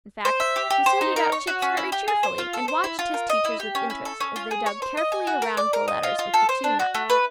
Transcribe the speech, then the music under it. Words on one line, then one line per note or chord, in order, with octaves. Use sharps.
In fact, he sorted out chips very cheerfully and watched his teachers with interest as they dug carefully around the letters with the two knives.
C5
E5
G4
G4
C5
D#4
A#4
C#5
F#4
C#4
E4
G4
G#4
C5
F4
A4
C5
E4
F4
A#4
D#5
E4
G4
C#4
E4
A4
C#4
F4
G#4
C#5
C5
D#5
G#5
F#4
A#4
D5
A#4
D#5
F4
F4
A4
C5
D4
F#4
A3
B4